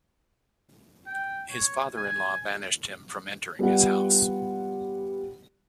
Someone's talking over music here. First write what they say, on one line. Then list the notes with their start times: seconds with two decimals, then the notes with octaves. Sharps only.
His father-in-law banished him from entering his house.
1.06 G5
1.51 C#5
1.97 G#5
3.59 G3 B3 F4 F#5